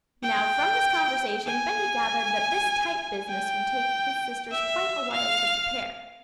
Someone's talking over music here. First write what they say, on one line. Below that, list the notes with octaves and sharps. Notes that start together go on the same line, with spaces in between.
Now from this conversation Benny gathered that this type-business would take his sisters quite a while to prepare.
G5
G#5
G5
E5
F5